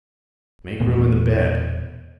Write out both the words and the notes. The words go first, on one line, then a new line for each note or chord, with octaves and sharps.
Make room in the bed.
E1 A#2 A3 B3